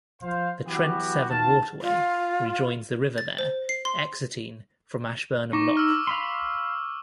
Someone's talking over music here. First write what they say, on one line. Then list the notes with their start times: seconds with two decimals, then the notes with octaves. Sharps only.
The Trent-Severn waterway rejoins the river there, exiting from Ashburnham Lock.
0.21 F3 C5 F5
0.66 E3 F#3 B3 E4 F#4 G4
1.29 D#2 F#4 F5 A5
1.82 F4
3.18 A6
3.39 C5
3.69 C7
3.85 C6
5.53 D#4 C#6 D6
5.77 E6 F6
6.07 F5 B5 C6